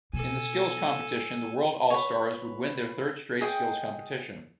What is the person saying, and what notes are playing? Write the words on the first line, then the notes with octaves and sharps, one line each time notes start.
In the Skills Competition, the World All-Stars would win their third-straight skills competition.
B2 A4 G#5
B4 C#5
G#4 D#5 F#5 G5